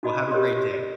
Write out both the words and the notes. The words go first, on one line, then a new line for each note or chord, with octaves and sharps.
Well, have a great day.
D#4 F#4 D#5 B5
G4 A#4 C5 C#5 D#5 C6